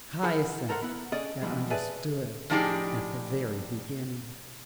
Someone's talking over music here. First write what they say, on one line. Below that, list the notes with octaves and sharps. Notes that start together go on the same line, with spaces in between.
Hyacinth had understood at the very beginning.
E4 G#4 C5 F5 F#5 G#5
A4 A#4 C5 F#5
B3 E4 F#5
C#4 D4 G#4 A4 D5 D#5
B2 E3 F3 G3 G#3
G#4 B4 D5 E5 G#5 A5
A2 F3 D4 D#4 G4 G#4